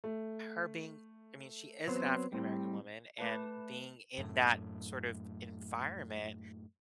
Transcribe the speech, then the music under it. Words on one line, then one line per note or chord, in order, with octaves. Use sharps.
her being I mean, she is an African-American woman and being in that sort of environment,
A3
F#3 B3 C4 C5
A2 G3 C4
A3 B4 A5
F#2 A2